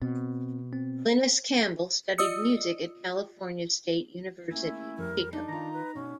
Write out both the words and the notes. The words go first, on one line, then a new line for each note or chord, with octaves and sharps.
Glynnis Campbell studied music at California State University, Chico.
B2 C4
C4
F4 D5 D#5 D#6 E6 C#7
A3 A#3 C#4 E4
F2 G3 A#4
D4 D#4
D#3 F4 A#5
B4
B2 C#4 D4